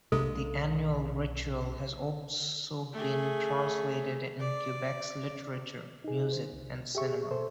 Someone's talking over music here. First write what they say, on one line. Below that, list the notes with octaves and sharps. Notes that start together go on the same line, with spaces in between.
The annual ritual has also been translated in Quebec's literature, music and cinema.
B1 C3 G#3 A#3 D4 A4
A3 G#4
D5
D#4 G#4
D3 C5
C2
G4 G#4 E5 C#6
B2 A4 C5